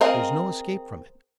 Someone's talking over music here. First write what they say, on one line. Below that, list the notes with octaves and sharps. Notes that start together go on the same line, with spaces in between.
There's no escape from it.
C4 G#4 A#4 D#5 F5